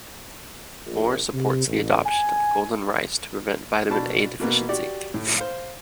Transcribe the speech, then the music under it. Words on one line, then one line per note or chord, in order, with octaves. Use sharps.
Moore supports the adoption of golden rice to prevent vitamin A deficiency.
A#1
C3
A1
G#5
B2 D4 A5 B5
B2 A#3 B3
F#4 G4 D5
A2
C5 F5